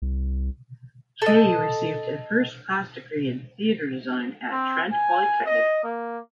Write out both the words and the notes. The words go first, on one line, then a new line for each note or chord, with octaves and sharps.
Kaye received a first-class degree in Theatre Design at Trent Polytechnic.
C2
A4 D#5
C4
G#5
D#5
A#3